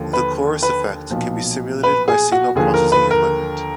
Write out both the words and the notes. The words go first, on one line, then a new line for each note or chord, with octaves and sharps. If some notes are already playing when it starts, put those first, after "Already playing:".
The chorus effect can be simulated by signal processing equipment.
Already playing: D#2 D3 F3
B4
B4
B1 A#2 F3
B4
G#4
F#4
D#2 D3 F3 G#4
A#4
B4
A#4